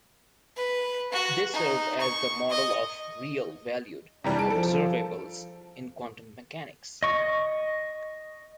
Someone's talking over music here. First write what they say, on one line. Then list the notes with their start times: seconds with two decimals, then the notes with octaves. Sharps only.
They serve as the model of real-valued observables in quantum mechanics.
0.56 B4
1.12 F#4
1.53 D#4
2.00 C#6
2.50 D#5
4.24 C3 E3 G3 D4
4.39 D#4 G#4 A5 D7
4.50 F3 A4
7.03 D#5 C#6